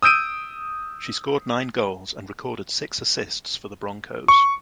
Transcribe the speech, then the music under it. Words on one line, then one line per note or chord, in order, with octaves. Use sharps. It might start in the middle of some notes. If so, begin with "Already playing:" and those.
She scored nine goals and recorded six assists for the Broncos.
D#6 E6 G6 D7 D#7
C#6